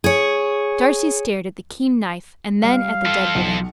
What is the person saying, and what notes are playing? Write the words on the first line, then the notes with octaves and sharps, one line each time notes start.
Darcy stared at the keen knife, and then at the dead woman.
G#4 C#5
G3 F5
F4 A4
B1 C#7